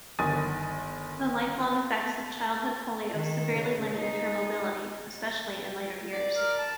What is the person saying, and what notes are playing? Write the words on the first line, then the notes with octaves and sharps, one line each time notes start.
The lifelong effects of childhood polio severely limited her mobility, especially in later years.
G1 D#3 G#5 D#6 A6 D#7
D#3
C#3
D#4
D5
A#4
A5